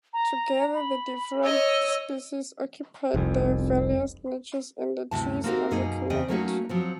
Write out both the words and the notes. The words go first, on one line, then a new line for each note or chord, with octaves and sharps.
Together the different species occupied their various niches in the trees as a "community".
A#5
B5
C#5 D#5 E6
F1 C2 F2
D2 G2 C3 E4 A5
A#3 C4 D#4 F#4 G4 A#4
F#2 B2 A#3 D#4 G#4 D#5
E2 C#3 D5 D#5 G5
F#3 A3 A#3 C#4 D#4 F#4
F3 F#3 C4